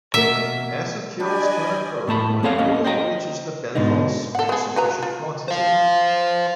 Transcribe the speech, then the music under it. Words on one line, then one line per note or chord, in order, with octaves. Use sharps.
Massive kills can occur when oil reaches the benthos in sufficient quantity.
B2 A#3 A#4 E5
D4 G4 D5 D#5 G#5 B5
A2 A3 A5 B5
A#3 C4 G#4 A4 C#5 F5
A#3 C#4 A4 D#5
C5 D#5 G5 A#5
G#2 B2 D3 G#3 D#4
A4 F#5
B3 G#4
F#4 B4 A#5
F4
C5 F5